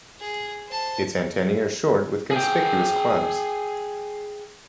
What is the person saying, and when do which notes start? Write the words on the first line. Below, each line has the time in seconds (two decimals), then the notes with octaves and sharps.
Its antennae are short with conspicuous clubs.
0.20 G#4
0.68 C5 A5
2.31 G#4 G5